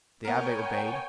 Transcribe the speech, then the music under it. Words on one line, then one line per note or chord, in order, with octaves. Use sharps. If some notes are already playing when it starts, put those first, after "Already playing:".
The abbe obeyed.
B3 A#4 C#5 G5 G#5